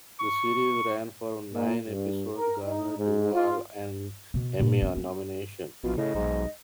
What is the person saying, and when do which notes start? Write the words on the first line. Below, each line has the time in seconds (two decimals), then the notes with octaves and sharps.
The series ran for nine episodes garnered Duvall an Emmy nomination.
0.20 C#6
1.53 A#2
1.86 G2
2.35 A#4
2.65 D#4
2.97 G#2
3.33 F4
4.34 B2
4.60 A#2
4.82 C4
4.96 C4
5.84 A#1 B2 F4
5.97 A2 C#3 D#5
6.15 B1 G#2